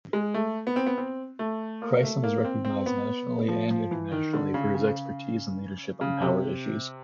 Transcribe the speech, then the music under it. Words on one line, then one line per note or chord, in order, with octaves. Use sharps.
Crisson is recognized nationally and internationally for his expertise and leadership on power issues.
G#3
A3
B3
C4
B3
C4
A3
A#3
A3
A#3
C4
C4
B3
F3
F3
E3
D#3
D3
C#3
C#3
C#3
C3